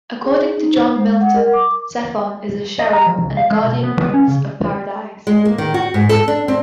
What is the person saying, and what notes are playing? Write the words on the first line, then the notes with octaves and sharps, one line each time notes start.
According to John Milton, Zephon is a cherub and a guardian prince of Paradise.
G#4
D#4
C5
G#3
F#5
A#4
D6
D#5
A#5
F3
C#2
F5
G#3
B2
B3
B3
C#4
C#3
G#3
A#3
D#3
F#4
G#2
A4
D4
C4